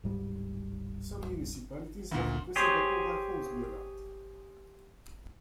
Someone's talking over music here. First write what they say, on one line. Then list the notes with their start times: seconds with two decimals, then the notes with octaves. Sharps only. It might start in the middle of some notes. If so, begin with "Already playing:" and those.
Some municipalities have requested that mobile homes be allowed.
0.03 D1 G#2 G3
2.11 D2 A#2
2.56 G4 G#4 C5 C#5